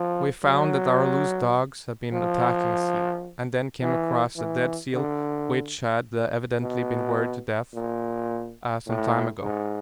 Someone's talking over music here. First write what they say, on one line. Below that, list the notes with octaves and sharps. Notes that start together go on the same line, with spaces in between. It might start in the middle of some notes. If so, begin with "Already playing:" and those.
We found that our loose dogs had been attacking a seal, and then came across a dead seal which had evidently been worried to death some time ago.
Already playing: F3
F#3
F3
E3
E3
D3
B2
A#2
A2
G#2